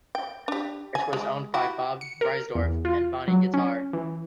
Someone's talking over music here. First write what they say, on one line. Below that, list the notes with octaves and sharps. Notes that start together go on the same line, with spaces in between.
It was owned by Bob Reisdorf and Bonnie Guitar.
G5
D4 G4
G#5
G#3
E4 F#4 G4
C#7
A#4
E2
F4
F#3
C#4
E3